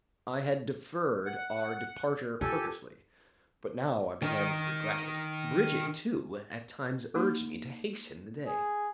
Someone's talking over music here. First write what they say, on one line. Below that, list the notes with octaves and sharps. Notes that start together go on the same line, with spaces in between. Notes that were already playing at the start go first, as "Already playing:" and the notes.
I had deferred our departure purposely, but now I began to regret it. Brigitte, too, at times urged me to hasten the day.
F#5
F4 G4 A4 G#5
D#3 D#4
A#3 D#4 G4
G#4